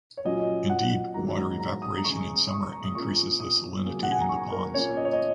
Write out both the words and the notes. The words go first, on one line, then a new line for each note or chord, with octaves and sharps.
Indeed, water evaporation in summer increases the salinity in the ponds.
C#5
A#2 F#3 C#4 D#5
F#5
G#2 D#3 F#3 A#3 A#5
A#5
A#5
D#6
A#5
C#3 G#3 C#4 C#6
D#6
C#6
A#5
A#5
D#6
A#2 A#3 C#4 C#6
D#6
C#3 F#3 A#3 C#4
F#5
G#5
A#5
C#6
A#4
A#2 A#3 C#4 C#5
D#5
C#5
D#5